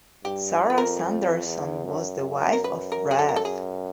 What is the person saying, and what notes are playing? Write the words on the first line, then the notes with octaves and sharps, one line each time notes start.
Sarah Sanderson was the wife of Rev.
G2 G4
F2 B4
A#4
F2
E2
F#2
A#4
B4
A#4
G#4
A4
A#4
A4
G#4